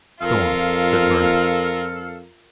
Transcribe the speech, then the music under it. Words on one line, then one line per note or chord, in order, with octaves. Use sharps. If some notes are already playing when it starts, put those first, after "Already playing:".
"Go on," said Bernard.
F2 F4 A4 A#4 F5